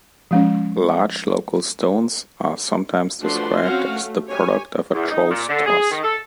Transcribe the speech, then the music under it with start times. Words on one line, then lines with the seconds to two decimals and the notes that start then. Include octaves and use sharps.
Large local stones are sometimes described as the product of a troll's toss.
0.31 F3 G#3 C#4
3.22 F3 A3 D4 F#4 B4 C6
3.61 C4 C#4 F#4 F5
3.91 A3
4.27 G4 C#5 G#5
4.94 E2
5.10 D#4
5.30 A#2
5.48 D3
5.66 G#4
5.91 D#3
6.03 A4